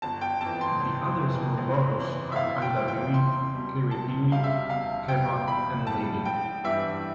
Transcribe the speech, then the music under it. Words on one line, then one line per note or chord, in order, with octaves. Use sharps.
The other small boroughs are Eidapere, Kaerepere, Keava and Lelle.
G1 A5
G5
F2 E3 A5
C6
G1
F2 E3
G1
F2 E3
E5
G1 F5
G5
F2 E3
G5
E2 C6
B2 G3
E2 A5
B2 G3 F5
E5
E2 F5
B2 G3 G5
E2 B5
B2 G3 A5
A1 G5
G2 E3 G3 E5